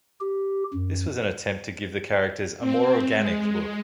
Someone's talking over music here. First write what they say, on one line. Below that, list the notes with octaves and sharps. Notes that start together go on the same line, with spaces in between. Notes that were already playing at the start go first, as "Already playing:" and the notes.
This was an attempt to give the characters a "more organic" look.
G4
F#2
C4
G#3